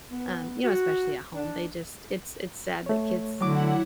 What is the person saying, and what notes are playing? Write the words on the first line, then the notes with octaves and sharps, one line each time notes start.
um, you know, especially at home. They just it's it's sad that kids
B3
F#4
D4
A3 C#5
D3 F#3 E4 F#5 D6